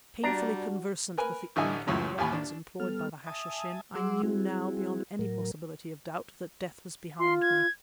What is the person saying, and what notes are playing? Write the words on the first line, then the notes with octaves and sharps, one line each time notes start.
Painfully conversant with the uncanny weapons employed by the Hashishin, I knew now, beyond any possibility of doubt, that death was behind me.
G3 D4 F#4 A#5
A#4 B4 G#5
A1 D3 E4 D#5 G#5
C#2 F#2 A2 C#4
A1 D#2 G#5 B5
D4
G3 B3 A4 F6
E5 G#5 A5 D#6
F#3 G#4 F#5 C6 D6 E6
G3 C4 E4 F#4 G#4
A2 F#3 A#4
F4 C6
G#6